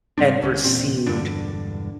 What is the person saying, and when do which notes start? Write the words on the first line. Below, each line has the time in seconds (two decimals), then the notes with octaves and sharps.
and received
0.18 G#2 G3 C4 D4
0.41 C2 D3 C#4
0.64 E1 A#2 C4
1.07 E1 G2 D3 D4